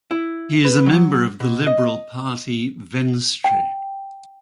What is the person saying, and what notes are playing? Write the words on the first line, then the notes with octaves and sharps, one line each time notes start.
He is a member of the liberal party "Venstre".
E4
B4
F#3
B2
D#5
G5